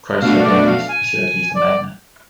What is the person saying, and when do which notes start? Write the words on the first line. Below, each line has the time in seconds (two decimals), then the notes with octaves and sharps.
Chrysler then leased the facilities to Magna.
0.22 B2 A3 D4 F#4 F5
0.44 D5
0.67 F5
0.89 G#5
1.55 D5